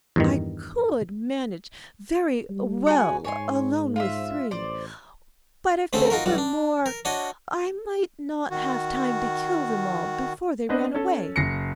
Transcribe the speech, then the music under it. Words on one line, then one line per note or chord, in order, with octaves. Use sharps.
'I could manage very well alone with three, but if there were more, I might not have time to kill them all before they ran away.'
E2 G2 D#3
G3
F#4 G#4 G#5
G#2 C#5 G#5 C6
F4 C5 E5
A1 C5 D5
D2 C#3 A3 C4 C5
D#4 F4 F#4 A#4
B1 G3 F#4
D4
A#4
D4 F#4 C#5 D#5
D#3 F#4
B3 C4 D4 B4 D#5
C#4 A4
F#1 A#6 C7 C#7